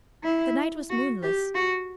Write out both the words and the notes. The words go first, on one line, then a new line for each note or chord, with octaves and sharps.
The night was moonless.
E4
F#4
G4
F#4